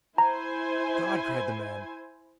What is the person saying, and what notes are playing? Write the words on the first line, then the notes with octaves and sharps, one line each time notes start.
"God!" cried the man.
E4 C5 G#5 A#5